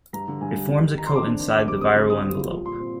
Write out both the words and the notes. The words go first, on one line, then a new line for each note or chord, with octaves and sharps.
It forms a coat inside the viral envelope.
G2 A#5
D3
G2 G#5
G3
D#3
G3
D#3 A#5
C6
C4 D6
D4
D#3
C3 D6
G3 D6
C4 D#6
D3 C6
G2 D#6
G3
F4
F3
A#2 C6
C4